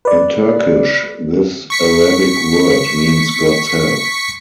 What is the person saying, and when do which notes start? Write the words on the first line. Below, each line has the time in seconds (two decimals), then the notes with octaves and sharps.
In Turkish, this Arabic word means 'God's Help.
0.05 B4 D5
1.70 C#6 B6 C#7